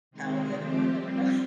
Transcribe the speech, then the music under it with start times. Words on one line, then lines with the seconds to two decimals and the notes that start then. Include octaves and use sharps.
tell the other one that we're going
0.11 C3 D#3 G#3 C4
0.53 F3 C4 G4
0.94 G3 C4 F4